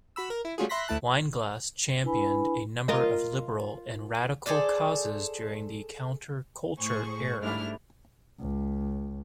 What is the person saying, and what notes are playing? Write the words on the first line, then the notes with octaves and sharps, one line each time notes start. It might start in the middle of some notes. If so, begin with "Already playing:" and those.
Weinglass championed a number of liberal and radical causes during the counterculture era.
F#4 B5 E6
A#4
E4
G3 A3 C#4 F4 F#4 G#4
E5 B5 C6 F#6 A#6 B6
D2 A3 E4 A5 F#6
D4 E4 B4 G#5 B5
F4 A#4 D#5
G#4 A4 C5 D5
A2 G#4 C5 C#6
G#2 G3 A3 D4 E4 F6
C#2